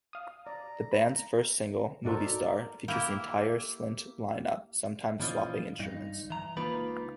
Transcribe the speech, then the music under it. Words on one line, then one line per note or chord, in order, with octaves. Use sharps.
The band's first single, "Movie Star", features the entire Slint line-up, sometimes swapping instruments.
F5 D#6
D5 A#5
B5
G#2 D#4 F#4 A4 A#4 C5 D5
A#3 E4 G4 A#5
A#2 E3 F3 C#4 F4 D#5
G2 D#4
E3 A#5
C#2 A#3 D#4 F4 B4 B5